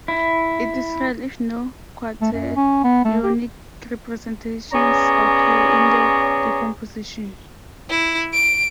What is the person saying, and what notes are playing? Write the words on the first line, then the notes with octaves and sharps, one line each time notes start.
It is real if no quaternionic representations occur in the decomposition.
E4
A3
F#2
C#4
B3
A3
G4
B3 C#4 G#4 C#5 D5 A#5
E4
D7